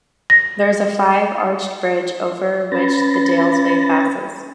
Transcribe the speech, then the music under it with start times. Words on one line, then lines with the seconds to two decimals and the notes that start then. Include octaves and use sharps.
There is a five-arched bridge over which the Dalesway passes.
0.30 A#6
2.72 C#4 B4 B5 A6 A#6